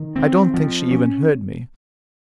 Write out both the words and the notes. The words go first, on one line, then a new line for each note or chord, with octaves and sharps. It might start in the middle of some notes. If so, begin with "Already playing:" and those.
I don't think she even heard me.
Already playing: D#3
C4
F3
C#4